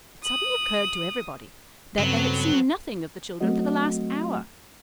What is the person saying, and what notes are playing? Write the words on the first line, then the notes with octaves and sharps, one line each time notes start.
It suddenly occurred to everybody that they had seen nothing of the children for the last hour.
D#6 F#7
G2 C#3 F#3 B3 C4 A4
F#3 A3 C4 F#4 D#5